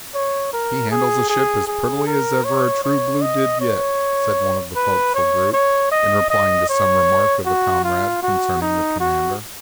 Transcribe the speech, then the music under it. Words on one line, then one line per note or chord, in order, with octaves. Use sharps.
"He handles a ship as prettily as ever a true blue did yet," said one of the forecastle group, in replying to some remark of a comrade concerning the commander.
C#5
A#4
G#4
G#4
G#4
A#4
C#5
C#5
D#5
C#5
B4
C#5
C#5
D#5
D#5
C#5
F#4
F4
F#4
D#4
F#4